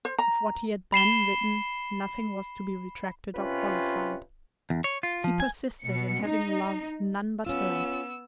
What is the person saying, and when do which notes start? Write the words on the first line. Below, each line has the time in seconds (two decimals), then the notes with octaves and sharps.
Of what he had then written, nothing was to be retracted or qualified. He persisted in having loved none but her.
0.05 C5
0.18 A#5
0.92 B5 C7 E7 G7
3.36 C3 C#4 F4 B4
4.70 E2
4.84 C#5
5.03 F4
5.24 F3
5.40 G#5
5.81 B2 C#7
6.24 D#4
7.46 B3 C#4 F4 E6